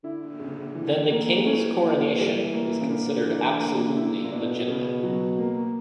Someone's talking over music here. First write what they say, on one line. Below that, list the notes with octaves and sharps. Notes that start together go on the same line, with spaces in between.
Then the King's coronation was considered absolutely legitimate.
D3 E4
C#3
E3
A#3
E3 C#4
A#2
G3
A#3
C#3
D3 A#4
E3
A#3
E4
A#2
B2 D4
C#3
F#3
A#3